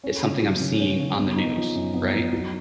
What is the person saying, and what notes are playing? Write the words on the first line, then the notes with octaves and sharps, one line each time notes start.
it's something I'm seeing on the news, right?
C#4
C#3
F#3
C#3
C#4
C#3
B3
D#4
F3
F#2
B3
D#4
F#3